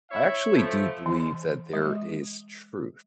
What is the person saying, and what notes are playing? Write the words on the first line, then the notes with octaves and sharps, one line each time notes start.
I actually do believe that there is truth.
E4 C#5 E5
F3 A3
E3
G#3